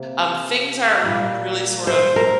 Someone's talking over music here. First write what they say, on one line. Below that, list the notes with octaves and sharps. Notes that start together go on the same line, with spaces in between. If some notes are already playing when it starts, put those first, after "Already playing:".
um, things are really sort of
Already playing: C3 A#3
A#2 G3 A#3
C5
A#4